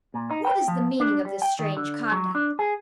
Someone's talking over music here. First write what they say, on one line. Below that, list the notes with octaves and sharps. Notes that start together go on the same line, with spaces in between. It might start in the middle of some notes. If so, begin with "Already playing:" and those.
What is the meaning of this strange conduct?
A#2
D#4
G5
F3
D4
G3
G5
D#3
D3
F#3
D4
G#4